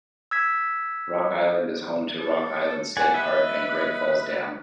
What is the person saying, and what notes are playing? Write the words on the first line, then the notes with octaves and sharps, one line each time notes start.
Rock Island is home to Rock Island State Park and Great Falls Dam.
E6 G#6 B6
A4
D5 F#5 G#5
B4 D#5 E5